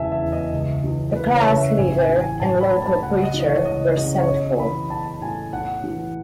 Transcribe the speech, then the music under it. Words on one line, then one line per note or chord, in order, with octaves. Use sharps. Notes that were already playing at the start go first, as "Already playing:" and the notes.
The class-leader and local preacher were sent for.
Already playing: E1 C#3 E3 E5 G#5 A5
E5
E2
D#5
C#2
E3
C#2 B4
C#5
C#3
E5
A1 G#5
G#5
E3
G#5
A1 A5
B5
A2
A5
C#2 F#5
D#5
E3
D#5
C#5
C#2 D#5
C#3 D#5
C#5
B1 D#5
E3 B5
B1 A5
A2 G#5
B1 F#5
E3